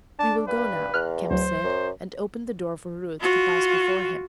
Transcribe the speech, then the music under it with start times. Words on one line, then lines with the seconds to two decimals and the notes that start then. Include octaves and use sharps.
"We will go now," Kemp said, and opened the door for Ruth to pass before him.
0.19 D4 A5
0.47 G2 B4
0.94 E2 F6 F#6
1.31 D2 F#3 C5
1.64 F#2
3.20 F4 F#4